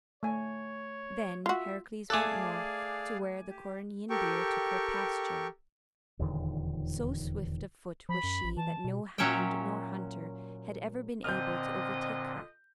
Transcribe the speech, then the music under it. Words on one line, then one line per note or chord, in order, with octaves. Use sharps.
Then Heracles went north to where the Coryneian deer took her pasture. So swift of foot was she that no hound nor hunter had ever been able to overtake her.
A3 C#5 G#5
F4 F#4 E5
A3 G#4 A4 D5 F5 G#5 D6 F#6
G4
G4 A4 A#4 G5 C#6
D#1 E2 D3 D#3
F3 B5
F#2
A1
E3 A5
B2
A#2 F#3 C#4 C#5 E5 G5
A#2 D3 C4 D#5 F6 G6